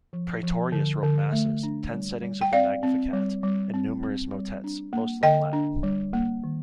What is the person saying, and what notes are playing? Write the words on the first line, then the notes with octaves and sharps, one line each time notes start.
Praetorius wrote masses, ten settings of the Magnificat, and numerous motets, mostly in Latin.
F3
F3
D3
D3
A3
D4
G3
G3
G5
C4 D5 F5
C4
G3
G3
C4
C4
G3
D4
A#3
D3 D#5 G5
D4
G3
A#3
D#3